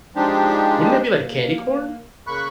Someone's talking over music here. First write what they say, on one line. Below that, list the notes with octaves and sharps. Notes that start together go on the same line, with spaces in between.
wouldn't it be like a candy corn?
F3 G#3 D4 D#4 G4
A#3
C#3 A#3 B5 C#6 F#6